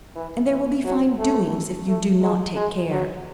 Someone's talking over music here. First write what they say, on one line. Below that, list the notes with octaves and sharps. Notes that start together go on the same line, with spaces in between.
"And there will be fine doings, if you do not take care."
E3
E3
F#3
A3
A3
G#3
G#3
F#3